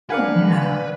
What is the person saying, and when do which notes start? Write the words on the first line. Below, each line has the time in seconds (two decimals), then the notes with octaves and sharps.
Oh, yeah.
0.10 D4 A#4 B4 D5 F5 F#5 G#5